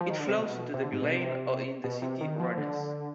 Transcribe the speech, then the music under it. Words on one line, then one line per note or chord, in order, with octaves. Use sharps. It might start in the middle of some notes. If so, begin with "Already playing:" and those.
It flows into the Vilaine in the city Rennes.
F3
D#3
D3
C3
B2
C3
D3
G#2
B2
C3
B2
C3
D#3
F3
D3